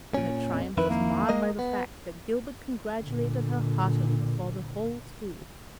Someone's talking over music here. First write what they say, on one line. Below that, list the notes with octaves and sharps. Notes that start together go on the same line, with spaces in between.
But her triumph was marred by the fact that Gilbert congratulated her heartily before the whole school.
A#2 C#4
F2
F2 D#3 E4 B4
A#3
G#3 A#4 D#5
B3
A#2 D3